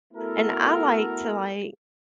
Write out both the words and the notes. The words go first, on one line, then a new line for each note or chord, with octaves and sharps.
And I like to, like,
A3 B3 E4 F#4 A4 A#4